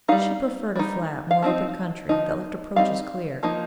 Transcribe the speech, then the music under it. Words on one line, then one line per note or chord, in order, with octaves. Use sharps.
She preferred a flat, more open country that left approaches clear.
G3 D#4 F5
G3 D#4
F5
F3 C4 D#4
F3 D#4
G3 C4 D#4 F5
F3 A#3 D#4